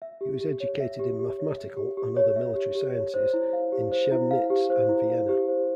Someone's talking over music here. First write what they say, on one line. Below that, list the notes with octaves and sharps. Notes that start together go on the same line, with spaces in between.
He was educated in mathematical and other military sciences in Schemnitz and Vienna.
E5
G4
G4
C#5
E5
G4
G4
C#5
E5
G4
G4
C#5
E5
G4
G4
C#5
C5
E4
F5
G4
C5
E4
F5
G4
C5
E4
F5
G4
C5